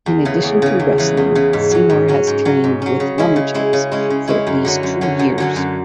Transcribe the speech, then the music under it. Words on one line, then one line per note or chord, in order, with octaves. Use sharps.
In addition to wrestling, Seymour has trained with nunchucks for at least two years.
E2
C#3 E3
E2
C#3 E3
E2
C#3 E3
E2
C#3 E3
G#2
F#3 C#4
G#2
F#3 C#4
G#2
F#3 C#4
G#2
F#3 C#4
C#3
G#3 C#4 E4
C#3
G#3 C#4 E4
C#3
G#3 C#4 E4
C#3
G#3 C#4 E4
F#2
D3 F#3 C#4
F#2
D3 F#3 C#4
F#2
D3 F#3 C#4
F#2